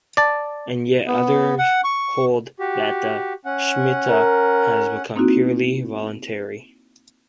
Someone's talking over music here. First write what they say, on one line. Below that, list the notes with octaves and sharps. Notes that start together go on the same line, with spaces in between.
And yet others hold that the Shmita has become purely voluntary.
D5 A5
B3
F#5
C#6
F#4 G4
C#4 F#5
A#4
A#3 C4 D#4 E4 F#4